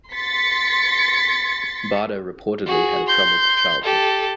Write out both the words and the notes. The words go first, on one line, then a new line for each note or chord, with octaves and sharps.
Bardo reportedly had a troubled childhood.
C6 A6 B6 C#7
F#4 G#4
C6 G6
G4 A4